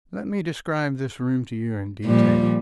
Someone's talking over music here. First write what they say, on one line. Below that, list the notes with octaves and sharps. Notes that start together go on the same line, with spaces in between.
Let me describe this room to you in detail.
A#2 F3 G3